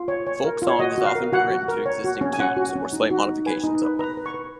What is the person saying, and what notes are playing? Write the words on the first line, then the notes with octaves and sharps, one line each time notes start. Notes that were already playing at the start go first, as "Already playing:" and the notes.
Folk song has often been written to existing tunes, or slight modifications of them.
Already playing: F4
C#5
C#5
A#4
F4
C#5
F#4 D#5
F#4
F5
A#4
F#4 F#5
F#4
A#4
C#5
F#4
C#4
G#5
C#4 F#5
F#4
C#4
D#4
F#4
D#4
B4 G#5
D#4
B4
B4 A#5
B4
C#6
B4